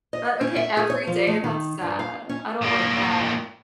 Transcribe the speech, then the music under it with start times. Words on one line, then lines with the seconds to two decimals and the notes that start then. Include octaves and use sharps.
but, okay, every day, that's sad. I don't like that.
0.13 D#5
0.41 C#4
0.56 E5
0.77 G#4
0.90 C#5
1.07 F3
1.27 A3
1.44 D#3
1.81 G2
1.99 F5
2.29 C#4
2.62 A2 A#3